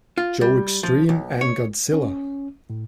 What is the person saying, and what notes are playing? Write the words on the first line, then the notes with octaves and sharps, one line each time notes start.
Joe Extreme and Godzilla.
F4
G3
F3
B1
C#5
C#4
A2